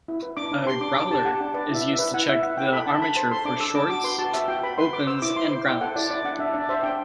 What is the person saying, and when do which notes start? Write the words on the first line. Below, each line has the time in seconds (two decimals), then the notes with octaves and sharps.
A growler is used to check the armature for shorts, opens and grounds.
0.08 E4
0.23 B4
0.37 D4 D6
0.52 D4
0.66 G4 C6
0.81 D4 D6
0.95 D4 D6
1.11 G4 A5
1.25 G4 F#5
1.41 D4
1.54 B4 D5
1.70 E4 E5
1.85 E4
1.94 B4 E5
2.14 E4 F#5
2.28 E4 E5
2.43 E4 F#5
2.57 E4 G5
2.72 A4 B5
2.86 D4 A5
3.02 A4 B5
3.16 C5 A5
3.31 A4 C6
3.45 D4 D6
3.60 A4 E6
3.75 D4 D6
3.89 F#4 D6
4.04 B4 C6
4.18 F#4 A5
4.34 F#4 E5
4.48 F#4 G5
4.63 B4 B5
4.78 B4 C6
4.93 B4 D6
5.07 C5 E6
5.22 E4 D6
5.36 E4 C6
5.51 C5 C6
5.66 E4 G5
5.81 A4 F#5
5.96 E4 D5
6.10 E4 D5
6.25 D4 F#5
6.39 D4 E5
6.54 D4 D5
6.69 C5 E5
6.83 D4 G5